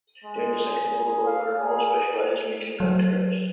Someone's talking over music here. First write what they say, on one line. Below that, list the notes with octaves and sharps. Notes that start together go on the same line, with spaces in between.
During the Second World War, Parnall specialised in making gun turrets.
G#3
G#4
F5
G#4
F#3